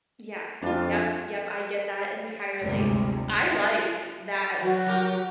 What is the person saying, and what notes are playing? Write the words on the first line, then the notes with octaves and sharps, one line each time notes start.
Yes, yup, yup, I get that entirely. I like that
F2 D4 F4
G1 D2 C3 G3 G#3
F#3 F#4
F#3 G4 A#4